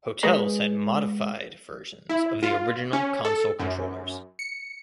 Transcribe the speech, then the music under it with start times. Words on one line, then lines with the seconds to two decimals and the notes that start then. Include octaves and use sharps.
Hotels had modified versions of the original console controllers.
0.23 G#3 G#4 B4 C#5 D#5 A#5
2.09 E4
2.43 F4
2.93 C#4
3.25 A4
3.60 F#2
4.39 C#7